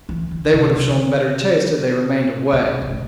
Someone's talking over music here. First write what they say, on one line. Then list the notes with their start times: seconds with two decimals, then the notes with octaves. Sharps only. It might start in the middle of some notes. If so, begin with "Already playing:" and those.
"They would have shown better taste had they remained away."
0.09 E3
0.31 E3
0.53 C3
0.75 D3
2.53 B2
2.82 B2
2.90 A2